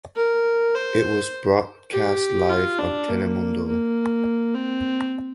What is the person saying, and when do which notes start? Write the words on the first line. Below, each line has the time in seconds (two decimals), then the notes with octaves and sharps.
It was broadcast live on Telemundo.
0.16 A#4
0.75 C5
1.92 G4
2.50 F4
2.79 D4
3.08 A#3
3.67 A#3
4.54 C4